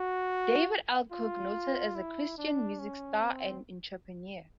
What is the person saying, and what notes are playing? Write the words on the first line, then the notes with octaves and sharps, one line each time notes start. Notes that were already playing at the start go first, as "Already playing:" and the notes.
David L Cook, noted as a Christian music star and entrepreneur.
Already playing: F#4
F4
E4
D4
C#4
C4